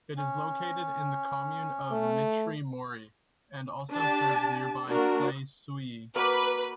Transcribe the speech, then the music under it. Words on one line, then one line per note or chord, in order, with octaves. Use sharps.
It is located in the commune of Mitry-Mory, and also serves nearby Claye-Souilly.
C#4
A3
D4 G4 A5
A#3 D4 F#4 A#4
A#3 F#4 B4 D5